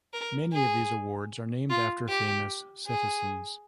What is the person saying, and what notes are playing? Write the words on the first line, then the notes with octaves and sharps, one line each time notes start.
Many of these awards are named after famous citizens.
A#4
G#4
F4
G4
G#4